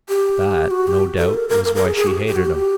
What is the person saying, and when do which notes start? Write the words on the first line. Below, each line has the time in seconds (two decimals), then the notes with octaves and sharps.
That, no doubt, was why she hated him.
0.09 G4
0.71 F#4
0.87 G4
1.18 A4
1.34 A#4
1.49 A#4
1.65 A#4
1.75 A#4
1.86 G#4
1.96 G#4
2.07 F#4
2.11 G4
2.27 G4
2.36 F#4
2.45 G4